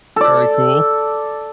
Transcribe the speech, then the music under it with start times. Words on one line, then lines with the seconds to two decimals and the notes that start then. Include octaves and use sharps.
Very cool.
0.16 A4 D5